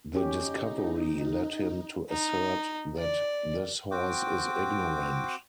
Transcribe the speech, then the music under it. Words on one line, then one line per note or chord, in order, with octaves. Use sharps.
The discovery led him to assert that "this horse is ignorant".
C#4 D#4 G4
D#4
D5
C4 F#4 G5 D6